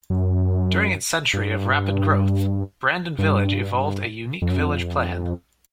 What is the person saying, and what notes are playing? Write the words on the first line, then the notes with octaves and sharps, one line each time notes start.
During its century of rapid growth, Brandon Village evolved a unique village plan.
F#2
G2
G2
F2
F#2
F2